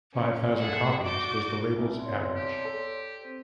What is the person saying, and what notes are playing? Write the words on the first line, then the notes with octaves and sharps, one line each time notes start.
Five thousand copies was the label's average.
C#4
G#4 A4 E5 F#5
G#2 F#4 D5 D6 G6
C2 B3
C#5 D5 C6
G4
A4
C4 C5